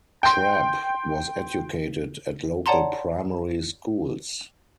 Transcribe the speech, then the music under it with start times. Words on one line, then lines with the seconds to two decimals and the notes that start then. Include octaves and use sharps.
Crabb was educated at local primary schools.
0.23 G5 C6
2.66 C#5 D5 F#5 A5 A#5 C6